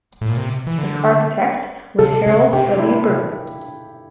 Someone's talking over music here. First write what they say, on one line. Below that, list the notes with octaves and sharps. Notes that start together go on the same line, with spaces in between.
Its architect was Harold W. Burton.
A2
A#2
C3
E3
D3
C3 A4
C3
C3 G4
E4